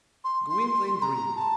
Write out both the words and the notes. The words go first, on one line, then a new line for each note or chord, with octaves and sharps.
Gwynplaine dreamed.
C6
C6
C6
A#5
A5